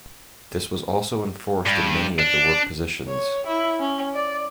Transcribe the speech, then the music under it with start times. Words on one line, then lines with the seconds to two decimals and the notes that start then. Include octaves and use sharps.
This also was enforced in many of the work positions.
1.67 G2
2.19 D4
3.08 C#5
3.47 E4
3.80 C#4
4.14 D5